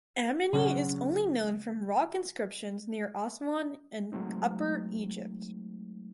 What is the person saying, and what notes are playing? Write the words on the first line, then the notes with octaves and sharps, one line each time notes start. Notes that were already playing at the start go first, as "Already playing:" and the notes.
Ameny is only known from rock inscriptions near Aswan in Upper Egypt.
C#3 F#3 C#4 F#4
F#3 G#3 A3 C4 D#4